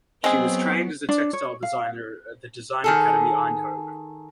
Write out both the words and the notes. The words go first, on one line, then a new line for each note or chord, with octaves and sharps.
She was trained as a textile designer at the Design Academy Eindhoven.
F#3 G#3 B3 C4 G#4
D4
C#5
F5
D#3 G#4 A4